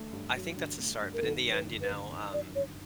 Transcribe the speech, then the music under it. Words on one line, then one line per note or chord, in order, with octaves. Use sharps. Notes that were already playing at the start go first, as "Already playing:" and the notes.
I think that's a start, but in the end, you know, um,
Already playing: D3 A3
G2
F#3
D3
A3
G2
A#4
D#3 A4
F#2
B4
G1
B4
G1
D#3
F#2 D5
G1 C#5